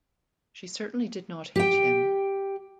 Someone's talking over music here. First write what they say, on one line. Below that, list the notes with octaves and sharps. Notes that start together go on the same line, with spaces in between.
She certainly did not hate him.
G4 G5